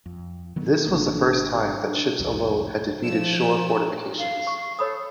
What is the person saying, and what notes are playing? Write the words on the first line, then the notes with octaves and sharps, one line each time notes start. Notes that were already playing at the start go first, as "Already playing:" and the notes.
This was the first time that ships alone had defeated shore fortifications.
F2
D#3 F#3 B3
G#1 C#3 A#3 D4
C2 F2
F3 A3 E6
F5
C#6
A4 C#5 B5 D#6